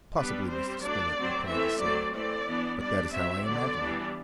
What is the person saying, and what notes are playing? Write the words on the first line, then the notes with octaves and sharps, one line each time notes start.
"Possibly, Mr. Spilett," replied the sailor, "but that is how I imagine him!"
G3 B3 D4 B4
G3 C4 C5
F#3 A3 D4 D5
F#3 C4
E3 A3 C4 E5
F#3 A3 C4 D5
E3 A3 C4 D5
E3 B3 D4
G3 D4 D5
F#3 C4 E5
D3 F#3 B3 D5
E3 G3 B3 D4